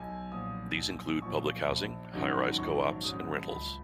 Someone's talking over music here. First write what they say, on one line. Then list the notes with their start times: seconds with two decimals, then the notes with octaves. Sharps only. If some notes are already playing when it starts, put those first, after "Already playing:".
These include public housing, high-rise co-ops and rentals.
Already playing: B1 G#5
0.32 A#2 F3 D#6
0.77 B1
1.22 A#2 F3 C#6
1.68 A#1
2.13 G#2 D#3 F#3 C#4
2.58 A#1 C#6
3.04 G#2 D#3 F#3 C#4 D#6
3.50 C#2 B5